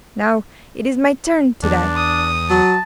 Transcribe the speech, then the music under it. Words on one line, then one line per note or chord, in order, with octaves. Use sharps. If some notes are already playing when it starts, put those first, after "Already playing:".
'Now it is my turn to die.
E2 D4
D#6
F#3 A5